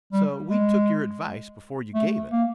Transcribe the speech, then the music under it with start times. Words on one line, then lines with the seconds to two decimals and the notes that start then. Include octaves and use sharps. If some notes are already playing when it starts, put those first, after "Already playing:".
So we took your advice before you gave it.
0.13 G3
0.49 G#3
1.94 A3
2.31 A#3